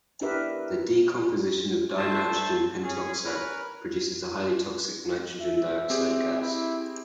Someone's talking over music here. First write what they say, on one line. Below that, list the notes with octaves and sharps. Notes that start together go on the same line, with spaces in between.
The decomposition of dinitrogen pentoxide produces the highly toxic nitrogen dioxide gas.
D4 E4 G4 A#4 B4 E5
A3 C5 E5 A5
C#4 G#4
C#4 A#4 B4
E5
C4 G4 G#4
E4